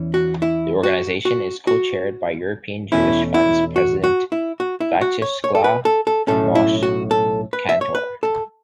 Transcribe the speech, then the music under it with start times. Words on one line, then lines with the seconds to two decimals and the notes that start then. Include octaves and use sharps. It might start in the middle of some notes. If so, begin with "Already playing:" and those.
The organization is co-chaired by European Jewish Fund President Viatcheslav Moshe Kantor.
Already playing: E2 E3 C#4
0.14 F#4
0.42 E4
0.83 F#4
1.25 F#4
1.67 F#4
2.92 E2 B2 A3 C#4 E4
3.34 E4
3.76 F#4
4.04 F#4
4.32 E4
4.60 F#4
4.80 E4
5.01 F#4
5.22 C#5
5.44 C#5
5.55 A4
5.64 B4
5.85 A4
6.07 A4
6.27 B1 A2 A3 C#4 A4
6.55 E4
6.83 F#4
7.11 A4
7.53 B4
7.69 E5
7.81 C#5
7.95 B4
8.23 A4